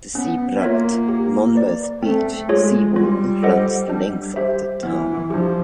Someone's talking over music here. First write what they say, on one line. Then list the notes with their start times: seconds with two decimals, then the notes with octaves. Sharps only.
The Sea Bright-Monmouth Beach Seawall runs the length of the town.
0.15 B3 C#4
0.61 A#3 F4 A#4 C#5 E5
1.09 G4
1.55 B4 D5
2.03 A3 C4
2.49 G#3 F4 G#4 C#5
2.96 G3 F4
3.43 A4 C5 D#5 F#5
3.90 D4
4.36 G4 C5 E5
4.83 E3 B3
5.30 F3 D4 G4